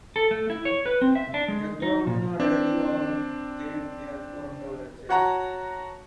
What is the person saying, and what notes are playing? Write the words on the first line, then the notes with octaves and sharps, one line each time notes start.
Jaganmohan Reddy all gave their condolences.
A4
A3
E4
C#5
B4
C4
E5
D4
G#3
D#4
A#2
C4 D4
F#4 C#5 F#5 A5 A#5